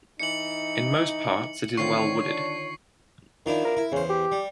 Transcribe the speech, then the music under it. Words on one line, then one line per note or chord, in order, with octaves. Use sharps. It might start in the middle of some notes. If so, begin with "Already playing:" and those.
In most parts it is well-wooded.
E3 D#4 C#7 F#7
D3 D#3 C4 F4 C#5 C#6 C7
D4
D#3 F3 D4 E4
A#4
E4
E2 C#3 C5
G4
G3